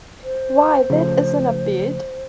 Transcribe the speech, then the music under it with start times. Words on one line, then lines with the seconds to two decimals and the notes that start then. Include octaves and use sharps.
Why, that isn’t a bed!
0.24 C5
0.90 C#3 F3 A3